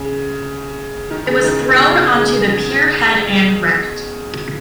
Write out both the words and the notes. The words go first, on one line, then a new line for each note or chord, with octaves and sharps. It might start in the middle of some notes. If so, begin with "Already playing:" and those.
It was thrown onto the pierhead and wrecked.
Already playing: C#3
D#3
C#3
D#3
C#3
B2
C#3